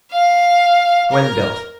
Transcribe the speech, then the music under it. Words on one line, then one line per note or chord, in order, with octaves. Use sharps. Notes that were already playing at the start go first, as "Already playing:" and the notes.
When built?
F5
A#4